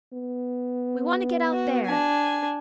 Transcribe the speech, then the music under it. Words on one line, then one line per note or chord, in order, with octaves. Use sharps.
We want to get out there.
B3
F#4
D4 G#5